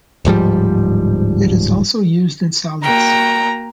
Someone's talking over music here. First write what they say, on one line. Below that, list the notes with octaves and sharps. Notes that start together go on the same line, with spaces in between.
It is also used in salads.
D1 G#2 F3 G3
A#3 F#4 G5 A#5